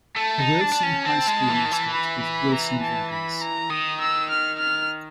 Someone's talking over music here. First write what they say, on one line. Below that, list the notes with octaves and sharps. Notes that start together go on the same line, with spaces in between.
The Wilson High School mascot is Wilson Dragons.
A3 A5
D#4
D4
D4
C#4
C4 A5
G#3
E3
D#3
E3
B5
B5
A#5
A5
B5
A#5
D#3 D#6
E6
F6
F6